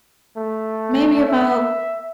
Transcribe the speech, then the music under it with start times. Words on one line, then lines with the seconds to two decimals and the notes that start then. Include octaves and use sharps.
maybe about
0.37 A3
1.29 E5